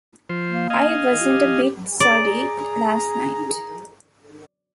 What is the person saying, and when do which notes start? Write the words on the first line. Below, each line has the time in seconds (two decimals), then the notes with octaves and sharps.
I wasn’t a bit sorry last night.
0.29 F3 C5
0.49 A#3
0.70 D#5 F5 G#5
1.21 G4
2.00 G#4 D5 A#5